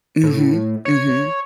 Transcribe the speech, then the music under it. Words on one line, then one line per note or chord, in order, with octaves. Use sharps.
Mhm, mhm.
A2
C#5